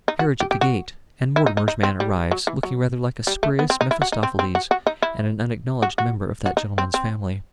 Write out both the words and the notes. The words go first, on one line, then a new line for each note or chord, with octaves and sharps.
A carriage at the gate, and Mortimer's man arrives, looking rather like a spurious Mephistopheles and an unacknowledged member of that gentleman's family.
D#4
F#4
G4
G4
F#4
E4
D#4
D#4
D#4
C4
G3
F#3
E3
F#3
G3
A3
B3
C4
D#4
E4
F#4
D#4
C4
C4
F#4
F#4
D#4
E4
F#4
F#4
F#4
D#4
C4
C4